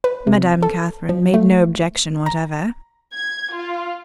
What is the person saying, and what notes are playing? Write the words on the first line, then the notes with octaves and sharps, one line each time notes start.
Madame Catherine--made no objection whatever.
B4
C3
A4
F3
A3
A#5
G#6
F4